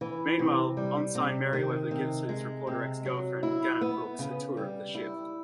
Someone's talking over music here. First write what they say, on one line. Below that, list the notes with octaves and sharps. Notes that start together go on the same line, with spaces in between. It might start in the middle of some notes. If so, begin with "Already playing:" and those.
Meanwhile, Ensign Mayweather gives his reporter ex-girlfriend, Gannet Brooks, a tour of the ship.
E3
C3
G3
C3
D#3
C3
G#3
C3
F#3
E4
B3
C#3
G3
E4